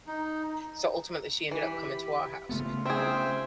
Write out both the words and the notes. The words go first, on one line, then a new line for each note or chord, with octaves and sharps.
so, ultimately, she ended up coming to our house,
D#4
E3 G4 B5
C#3 A3 B3 F4
C4 G#4 C5 E5 G5